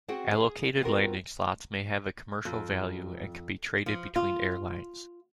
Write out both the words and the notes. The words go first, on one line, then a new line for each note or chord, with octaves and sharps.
Allocated landing slots may have a commercial value and can be traded between airlines.
C4 F#4 G#4 F#5 G5
G#4
B3 C4 F4 F#4 A#4
F2
F3
F4